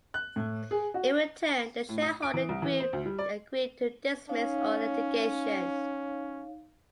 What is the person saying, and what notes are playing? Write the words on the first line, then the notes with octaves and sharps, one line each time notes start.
In return, the shareholder group agreed to dismiss all litigation.
F#6
A2
G#4
F#4
A2
D#6
D7
E3
C2
E3
C5
D2
G3
D5
C#4 D#4 C#5 F5